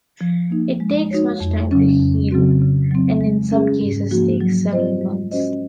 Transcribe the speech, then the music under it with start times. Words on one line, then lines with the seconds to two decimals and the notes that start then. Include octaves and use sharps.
It takes much time to heal and in some cases takes several months.
0.21 F3
0.50 A#3 D#4
0.80 G#3
1.11 D#4 F#4 C#5
1.40 F2
1.71 C#3 F#3 C#4
2.00 F2
2.31 C#3 F#3 C4 F#4
2.61 C#3
2.91 F#3 C4
3.21 G#3
3.51 C#4 G#4
3.81 G#2
4.11 F3 A#3 D#4 F#4
4.41 F#3
4.71 C4 F4 C5 D#5
5.01 G#3
5.31 C#4 F#4 C5 D#5